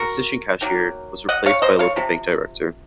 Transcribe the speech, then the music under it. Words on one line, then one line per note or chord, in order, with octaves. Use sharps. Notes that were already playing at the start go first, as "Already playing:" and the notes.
The position cashier was replaced by a local bank director.
Already playing: F#4 A#4
D#3 F#3 A#3
D#5 F#5
C#5 F5
C5 D#5
C#5 F5
C3 F3